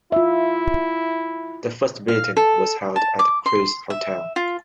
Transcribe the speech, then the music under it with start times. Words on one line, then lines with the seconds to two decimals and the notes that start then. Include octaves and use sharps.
The first meeting was held at Craig's Hotel.
0.12 E4 F4 E5
2.08 F5
2.37 A4
2.96 A5
3.19 D6
3.46 C6
3.90 E5
4.36 F4